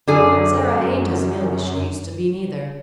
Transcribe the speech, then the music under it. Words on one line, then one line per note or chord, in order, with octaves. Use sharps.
Sara ain't as young as she used to be, neither.
F#2 D3 G#4